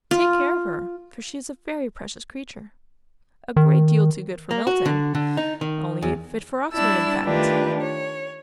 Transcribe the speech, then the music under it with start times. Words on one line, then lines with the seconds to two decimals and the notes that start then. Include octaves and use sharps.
Take care of her, for she is a very precious creature,--a great deal too good for Milton,--only fit for Oxford, in fact.
0.11 F4
3.56 D#3
4.51 A#3
4.67 F#4
4.85 D3
5.15 D3
5.37 D#4
5.61 D#3
6.02 E2
6.72 G3 D4 E4 A5 E6
7.24 D#3 A3 D4 F4 G4 B4
7.81 C#5